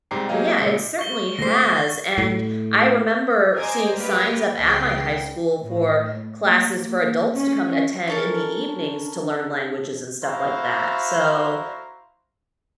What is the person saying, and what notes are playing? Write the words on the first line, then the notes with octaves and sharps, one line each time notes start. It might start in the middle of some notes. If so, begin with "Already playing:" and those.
Yeah, it certainly has, and I remember seeing signs up at my high school for classes for adults to come and attend in the evenings to learn languages and stuff like that, so
G#2 C3 G3 G5 A#5 C7
F#3 A#3 G4 G#4 D#5 F5
A#2 C#3 G#3
C#6 G7
D2 A3 C5 A#6 C7
A2
C5 D#5 G#5 A#5 D6 G#6
G2 A#3 G4 B4 D5 F6
C#2 C#3 B4 G5 C7
A2
A#3
C#4
C#4 D4 A4 A#4
E4 F#4 C5 F5 A#5